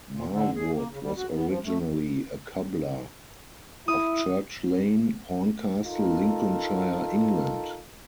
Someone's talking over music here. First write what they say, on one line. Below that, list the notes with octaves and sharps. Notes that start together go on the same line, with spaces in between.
Marwood was originally a cobbler, of Church Lane, Horncastle, Lincolnshire, England.
A#2
D3
G#4
A#3
C#3
G3
F#4
B3
F3
A3
E4 D#6
D#4 F4 A4 A#4